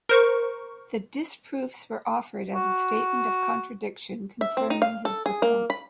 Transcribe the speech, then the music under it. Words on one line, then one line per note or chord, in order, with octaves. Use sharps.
The disproofs were offered as a statement of contradiction concerning his descent.
A#4 C5 C#6
F#4
E5
C4
D#4
F5
A4
G#4
A#3
B5